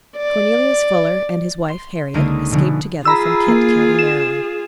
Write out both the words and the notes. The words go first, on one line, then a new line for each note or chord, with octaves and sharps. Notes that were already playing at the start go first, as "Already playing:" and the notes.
Cornelius Fuller, and his wife, Harriet, escaped together from Kent county, Maryland.
D5
C6
C#2 D3 G#3 A#3 D#4 D#7
B2 D3 F3 G#3 B3
F4 G#4 A#5 B5 E6
A#3
E7